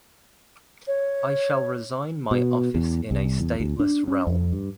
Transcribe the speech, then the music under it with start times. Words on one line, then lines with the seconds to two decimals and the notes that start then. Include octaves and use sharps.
I shall resign my office in a stateless realm.
0.87 C#5
2.31 B2
2.75 E2
3.11 C2
3.40 E2
3.60 D2
3.80 D4
4.08 C#4
4.27 F2
4.53 G2